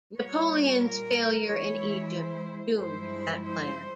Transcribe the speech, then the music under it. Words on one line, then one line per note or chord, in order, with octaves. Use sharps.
Napoleon's failure in Egypt doomed that plan.
A#2 G3 A#3 C#5
A#4
E3 G#3 E4 C#5
C5
G2 F3 G#3 E4 C5
C5